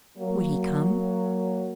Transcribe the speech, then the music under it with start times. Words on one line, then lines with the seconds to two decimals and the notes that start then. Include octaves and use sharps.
Would he come?
0.17 F#3 A#3